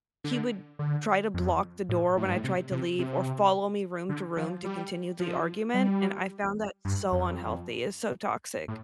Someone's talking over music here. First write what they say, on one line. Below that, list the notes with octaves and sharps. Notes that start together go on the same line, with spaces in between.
he would try to block the door when I tried to leave, or follow me room to room to continue the argument, and I found that so unhealthy, it's so toxic.
D3
D3
F2
A2
A2
G2
A2
C3
C3
C3
D3
F3
G3
F3
G3
G2
F2
A2